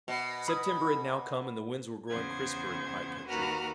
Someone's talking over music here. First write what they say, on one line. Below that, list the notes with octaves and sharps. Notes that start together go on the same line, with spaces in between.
September had now come and the winds were growing crisper in the high country.
B2
B5 D#6
E2 C#3 B3 C5 G#6
D#2 F#4 B4 A#5 B5 F6